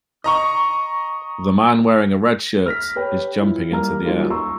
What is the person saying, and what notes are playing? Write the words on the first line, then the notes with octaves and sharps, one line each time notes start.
The man wearing a red shirt, is jumping into the air.
D#5 A#5 C#6
F6 A#6 B6
G4 B4 C#5 G5
E4 F4
G3 A#3 A#5 F6
F#3 G3 A#3 C#4 D#4 F4
A#5 C6 C#6 E6